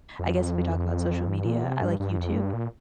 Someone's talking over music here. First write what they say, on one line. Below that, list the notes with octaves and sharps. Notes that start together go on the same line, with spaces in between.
I guess if we talk about social media, I like YouTube
F2
G2
A#2
C3
G2
G2
F2
G2
A#2